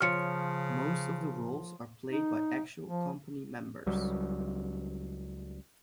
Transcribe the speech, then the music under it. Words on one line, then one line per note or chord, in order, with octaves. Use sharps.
Most of the roles are played by actual company members.
C#3 F3 C#5 F6 C#7
D#4
F3
C#2 F#3 G3